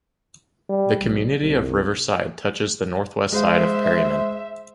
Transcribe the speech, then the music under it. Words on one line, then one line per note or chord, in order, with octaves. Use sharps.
The community of Riverside touches the northwest side of Perryman.
G3
B1
C2
G#3 C5 E5 F5